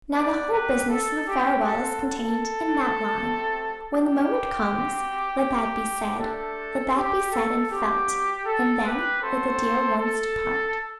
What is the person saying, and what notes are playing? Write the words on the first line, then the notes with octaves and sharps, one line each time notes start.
Now the whole business of a farewell is contained in that line. When the moment comes, let that be said; let that be said and felt, and then let the dear ones depart.
B3 D4 G4 B4 D5
G4 B4
A4
G4
C4 F#4 A4
A4
A3 C4 G4
G4
C4 F#4
A3 D4 G4 A4
G4
A4
G3 C4 F#4 G4
A4
G4 B4
A3 C4 F#4 A4 C5
A4